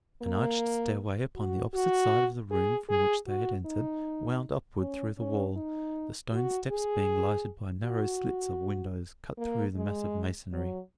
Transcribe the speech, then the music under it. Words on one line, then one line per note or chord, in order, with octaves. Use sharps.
An arched stair-way upon the opposite side of the room from which they had entered wound upward through the wall, the stone steps being lighted by narrow slits of windows cut through the massive masonry.
A#3
F#4
F#4
G#4
G#4
F#4
D#4
C#4
C#4
D#4
F#4
G#4
F#4
A#3
G#3
F#3